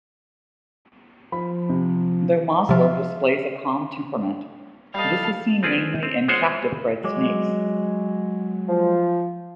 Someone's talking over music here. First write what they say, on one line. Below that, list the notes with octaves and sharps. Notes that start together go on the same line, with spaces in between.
Though Mozler displays a calm temperament, this is seen mainly in captive bred snakes.
F3 B5
C3
C3 F3 F4 E5
G3 A4 D#5 F5
C4 F4 G#4 A4 B4 D5
C4
G#3 F4 G#4 C5 C#5 F#5
F#3 G#3 D6
F3